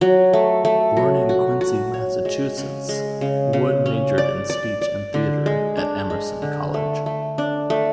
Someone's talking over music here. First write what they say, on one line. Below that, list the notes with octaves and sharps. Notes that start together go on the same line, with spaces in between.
Born in Quincy, Massachusetts, Wood majored in speech and theater at Emerson College.
F#3
A3
A3
F#3
F#4
F#4
C#5
G#3
C#3
G#3
C#3
C#3
C#4
D5
D5
D5
D3
G#3
D4
G#3
D3
A3
A3
D4
A3